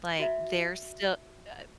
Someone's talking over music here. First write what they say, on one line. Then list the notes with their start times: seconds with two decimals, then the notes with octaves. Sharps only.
Like, they're still, uh
0.19 F#4 E5